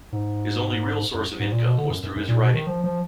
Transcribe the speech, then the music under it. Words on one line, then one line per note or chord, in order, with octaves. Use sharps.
His only real source of income was through his writing.
G#2
F#2
G#2
A#2
B2
D3
F#2
F#2
F#2
A#2
B2
D#3
F3
F3